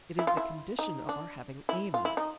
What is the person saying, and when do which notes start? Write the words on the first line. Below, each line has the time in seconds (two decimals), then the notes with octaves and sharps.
It is the condition of our having aims.
0.19 E4
0.27 F4
0.37 E4
0.79 D#4
1.09 D4
1.69 E4
1.94 F4
2.05 E4
2.17 D#4